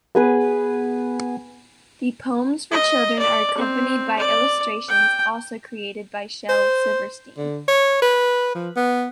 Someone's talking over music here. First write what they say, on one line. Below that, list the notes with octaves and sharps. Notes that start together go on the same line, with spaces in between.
The poems for children are accompanied by illustrations also created by Shel Silverstein.
B3 G#4 B4
D#5
D5
C4
D5
G5
C5
D3
C#5
B4
F3
B3